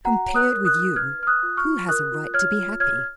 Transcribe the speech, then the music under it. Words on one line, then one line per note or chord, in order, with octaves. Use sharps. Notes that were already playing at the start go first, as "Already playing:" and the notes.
Compared with you, who has a right to be happy?
F#4 F#5 A#5
C#5
D#6 F#6
A#4
D#6 F#6
D#4
B4 F6 G#6
B4 F6
D#6 F#6
F4
C#6 F6
F4
A#4 D#6 F#6
F4
C#5 F6 G#6
F4
C#5 F6 G#6